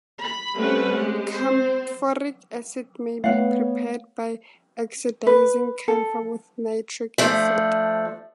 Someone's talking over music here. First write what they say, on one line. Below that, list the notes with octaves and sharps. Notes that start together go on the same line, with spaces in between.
Camphoric acid may be prepared by oxidising camphor with nitric acid.
B5
G3 A3 C4 C#4 B4 F#5
G#3 G4
C4 C5
A3 B3 C#5 F5 F#5
B4
A4
F3 A3 D4